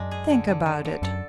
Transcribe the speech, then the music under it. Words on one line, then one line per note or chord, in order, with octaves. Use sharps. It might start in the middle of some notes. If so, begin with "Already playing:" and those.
Think about it.
Already playing: F#2 G#3 D4
G#4
D3
D3
D3
D3
F#2 A4